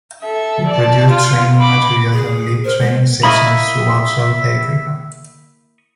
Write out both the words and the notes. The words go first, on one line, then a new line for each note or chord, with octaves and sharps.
He produced training materials and lead training sessions throughout South Africa.
A4 E5
D5 A5
F4 F5
B5 D6
G#4
A#4 C5
G#3
A#3 E4 D#5 E5 B5 C#6 D#6